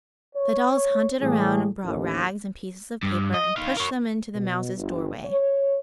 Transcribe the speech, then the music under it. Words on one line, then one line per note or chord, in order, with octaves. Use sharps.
The dolls hunted around and brought rags and pieces of paper and pushed them into the mouse's doorway.
C#5
A2 E3 G3 A3 G4 G#4
A1 D#2
G2
D#5
D#4 F5
A#4 C#5
B2
G1
C#5